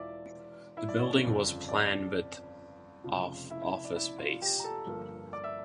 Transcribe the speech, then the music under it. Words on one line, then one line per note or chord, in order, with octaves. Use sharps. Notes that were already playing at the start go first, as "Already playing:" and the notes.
The building was planned with of office space.
Already playing: E1 E2 E3 F4 D5 E5 D6
E4 E5
D5
C#5
D5
G1 F2 C#3
D5
F1 F2 C#3 F3
E4 E5
E4 E5
D5
E4 E5
F4 F5
G4 G5
A#5
A4 A5
G1 G2 F3 A#3
D5 D6
E5 E6